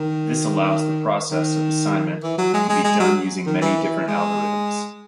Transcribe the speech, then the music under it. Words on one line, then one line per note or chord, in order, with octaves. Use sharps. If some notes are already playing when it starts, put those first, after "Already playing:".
This allows the process of assignment to be done using many different algorithms.
Already playing: D#3
D#3
E3
F#3
G#3
G#3
G#3
F#3
D#3
E3
E3
G#3